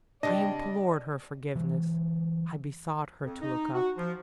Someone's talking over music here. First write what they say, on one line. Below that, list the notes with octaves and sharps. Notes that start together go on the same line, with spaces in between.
I implored her forgiveness. I besought her to look up.
C#3 C4 D4 G4 D5 D#5 A5 A#6
E3 F#3 G#3
F2
D#4
F#4
F3